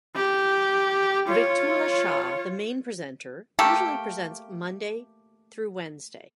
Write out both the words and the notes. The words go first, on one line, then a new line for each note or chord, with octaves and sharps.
Ritula Shah, the main presenter, usually presents Monday - Wednesday.
G4
F4 C#5
A3 A#3 G4